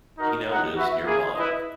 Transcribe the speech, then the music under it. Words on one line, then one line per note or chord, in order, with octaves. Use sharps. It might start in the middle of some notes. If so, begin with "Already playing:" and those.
He now lives near Bonn.
D#4 F#4 A#4 D#5
D#4 A#4 D#5 F#5
F#4 B4 E5
A#3 E4 G#4
E4 B4 D#5